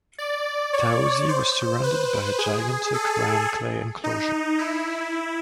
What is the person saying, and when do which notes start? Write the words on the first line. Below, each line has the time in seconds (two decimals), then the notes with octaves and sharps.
Taosi was surrounded by a gigantic rammed-clay enclosure.
0.18 D5
0.73 C#5
1.29 C5
1.83 B4
2.39 G#4
2.94 A4
4.04 D#4
4.59 E4